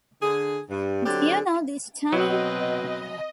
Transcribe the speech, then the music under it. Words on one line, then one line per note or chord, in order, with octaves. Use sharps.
Do you know this turning?
D3 G#4
G2
D3 F#3 C4 D4 G4
B2 F#3 C4 B4 D#5